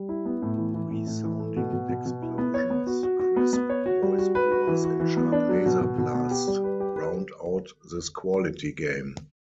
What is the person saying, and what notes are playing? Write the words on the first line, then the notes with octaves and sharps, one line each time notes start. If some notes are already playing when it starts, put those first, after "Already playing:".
Resounding explosions, crisp voice-overs, and sharp laser blasts round out this quality game.
Already playing: G3
E4
B3
A2
E3
E3
A2
A2
E3
A3
B2
B2
B2
B2
E4
B3
C#5
B3
F#4
F#4
F#4
B3
B3
C#5
F#4
G3
F#4
B4
F#4
E3
F#4
E3
B3
D4
F#3
B2
B2
B2
B3
G4
G3
B4
G4
B4